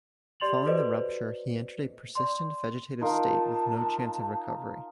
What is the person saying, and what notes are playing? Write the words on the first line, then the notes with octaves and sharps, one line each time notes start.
Following the rupture he entered a persistent vegetative state with no chance of recovery.
G4 D5 C6 A6 F7 F#7
F#4 A4 B4 C5 D5 D#5
D5 C6
D#4 F4 A#4 A5